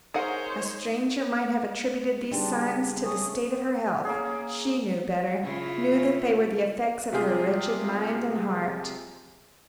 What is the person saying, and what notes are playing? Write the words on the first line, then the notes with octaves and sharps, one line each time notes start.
A stranger might have attributed these signs to the state of her health; she knew better- -knew that they were the effects of her wretched mind and heart.
D#4 G#4 A#4 C5 C#5 F#5
C#3 F#3 G3 C4 D4 D#4
A3 G#4 C#5 G#5 C#6 D#6
A#3 C#4 G#4
C#3 E4 F4
C3 G#3 F4 G4 G#4